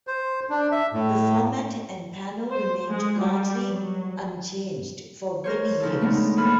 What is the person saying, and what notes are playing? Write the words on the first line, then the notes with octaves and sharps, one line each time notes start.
The format and panel remained largely unchanged for many years.
C5
D4
E5
A2
C5
G#3
G3
F#3
A#4 C5 C#5
C#3 F3 D#4 A4
G#3 A3 B3 C4 D4 D#4
A#2 E3 A4 B5 F6